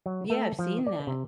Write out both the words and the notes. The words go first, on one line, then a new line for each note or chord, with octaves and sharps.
Yeah, I've seen that.
F#3
A3
F3
D5
C3